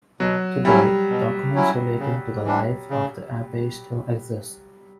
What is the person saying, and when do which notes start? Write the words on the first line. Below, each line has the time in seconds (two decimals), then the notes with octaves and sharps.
Today, documents relating to the life of the abbey still exist.
0.20 B2 F#3
0.64 F#3 G3 C#4 E4
1.09 B2
1.54 F#3 C#4 E4
1.99 C#3
2.44 E3 G3 D4
2.90 C#3